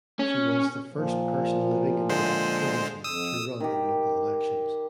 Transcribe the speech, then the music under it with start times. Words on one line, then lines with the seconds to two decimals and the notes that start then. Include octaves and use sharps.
She was the first person living in Direct Provision to run in local elections.
0.19 C#4
0.93 A#2 F3
2.09 D3 G#3 C5
3.04 F2 D#6 E6
3.60 D#3 G4